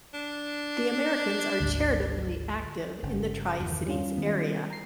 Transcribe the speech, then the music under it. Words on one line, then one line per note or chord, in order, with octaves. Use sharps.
The Americans are charitably-active in the Tri-Cities area.
D4
G#1 D2
G1 C#3
E2 G2 D#3
G3 C#4 F4
D#3 B3
A#5 C7